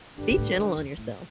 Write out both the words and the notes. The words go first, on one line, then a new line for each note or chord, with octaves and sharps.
be gentle on yourself.
G2 D3 G3 D4 G4 B4
B2
A2
A2
E2
A2